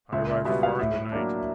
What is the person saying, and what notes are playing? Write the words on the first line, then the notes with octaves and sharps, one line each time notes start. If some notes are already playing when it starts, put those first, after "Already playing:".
I arrived far in the night.
C#2 E5
E5
B2 G3 B3 E5
F5
A2 E5
F#3 A#3 D4